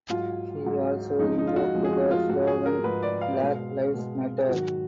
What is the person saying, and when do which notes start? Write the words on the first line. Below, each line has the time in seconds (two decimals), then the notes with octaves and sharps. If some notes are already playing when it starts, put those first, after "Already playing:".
He also invoked the slogan "Black Lives Matter".
0.10 G#2 F#3 F4
0.64 G#2 F#3
1.19 F2 F3 G#3 D#4
1.38 D#4
1.47 F4
1.56 F#4
1.74 F2 F3 G#3
1.85 G#4
1.93 F#4
2.11 F4
2.29 G#2 F3 G#3 F#4
2.47 G#4
2.66 A#4
2.84 G#2 F3 G#3 B4
3.03 D5
3.21 F5
3.40 B2 G#3
3.94 B2 G#3
4.38 G#4
4.49 G#2 D#3 F#3 F#4